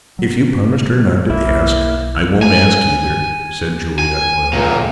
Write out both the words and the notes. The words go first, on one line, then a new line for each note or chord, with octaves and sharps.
"If you promised her not to ask, I won't ask either," said Juliet loyally.
F#3
B1 A#3 E4
G#5
G#5
C#2 A#2